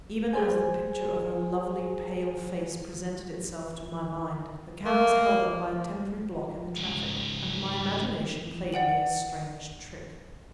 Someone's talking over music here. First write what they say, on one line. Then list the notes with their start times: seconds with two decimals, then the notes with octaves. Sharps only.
Even as the picture of her lovely, pale face presented itself to my mind, the cab was held up by a temporary block in the traffic--and my imagination played me a strange trick.
0.33 G#4 C5 G#5
4.85 A#3
6.76 G#2 C#3
8.73 D5 F#5 G5 F#7